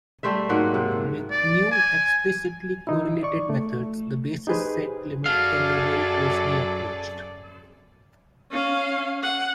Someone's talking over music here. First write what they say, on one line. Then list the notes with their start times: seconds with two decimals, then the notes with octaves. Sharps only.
With new explicitly correlated methods the basis set limit can be very closely approached.
0.23 G3 A3 C5 E5
0.49 G#2 F#3 A#3 F#5
0.74 C3
1.31 D5
1.71 G#5
2.87 D#3 D#4 E4
3.23 D5 C#6
3.50 A3
4.47 D#4 G4 G#4 B4 C5
5.26 F#2 F#3 G#4 A4 D5 F5
8.51 C#4 F5
9.23 F#5